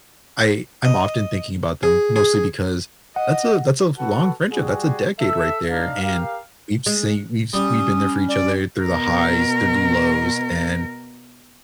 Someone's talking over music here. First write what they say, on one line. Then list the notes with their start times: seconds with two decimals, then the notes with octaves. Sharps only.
I I'm often thinking about them mostly because that's a that's a long friendship, that's a decade right there, and we've seen we've s we've been there for each other through the highs, through the lows, and
0.85 D#5
1.83 G#4
2.16 G#4
3.16 D#5 F#5
3.98 F#4 A4 B4 F#5 A5
4.52 G3 F#4 G#4
5.19 A4 E5
5.69 D4 D#4 F5
6.01 G4 A#4 F5
6.86 G#3
7.53 G3 C#4 D#6
8.28 D5
8.84 B2 A#4